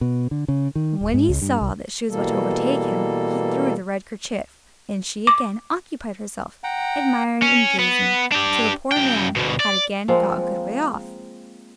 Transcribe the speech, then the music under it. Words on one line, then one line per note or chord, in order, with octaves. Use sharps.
When he saw that she was about to overtake him, he threw the red kerchief, and she again occupied herself, admiring and gazing, till the poor man had again got a good way off.
B2
D3
C#3
D#3
D1
G#2
C#2
G2
C2
B2 E3 G3 A#3 A4
D6
F#5 G5 A#5
C#4
B3
D4 G4
F#2 G5
D2 B2
D5
F3 G#3 A#3 C4